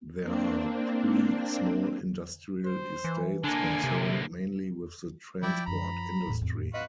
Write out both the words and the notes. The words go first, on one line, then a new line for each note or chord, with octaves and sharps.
There are three small industrial estates concerned mainly with the transport industry.
A#3 C4 D4
C5
E3
D3 A#3 D4 G#5
C3
F3 E4 D5 G5
F#2 C#4 A#5 B5
D#1 E2 A2
F2 C4
C4 F4 F#4 B4 D#5